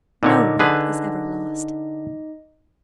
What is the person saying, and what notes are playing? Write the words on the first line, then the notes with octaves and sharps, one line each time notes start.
No good is ever lost.
A#2 D3 D#4 C#5 D#5 D6
D3 G#4 B4